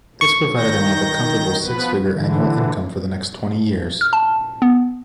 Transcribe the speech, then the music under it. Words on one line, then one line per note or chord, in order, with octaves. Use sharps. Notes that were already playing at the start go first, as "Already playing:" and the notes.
This provided him with a comfortable six-figure annual income for the next twenty years.
C#6
D#3 G6 A#6
F3 B3 B4
D3 E3
F6
A5
B3